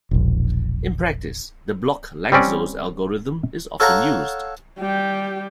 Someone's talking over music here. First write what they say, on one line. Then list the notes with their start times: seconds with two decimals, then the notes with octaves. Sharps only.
In practice, the block Lanczos algorithm is often used.
0.11 E1 A#1
2.32 G3 C4 C#4 D5
3.80 A4 C#5 F5 F#5 A5 A#5
4.79 G3 G4